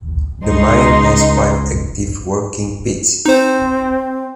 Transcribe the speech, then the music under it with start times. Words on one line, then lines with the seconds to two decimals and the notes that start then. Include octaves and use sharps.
The mine has five active working pits.
0.45 C#2 D#4 C6
3.26 C4 D#4 C5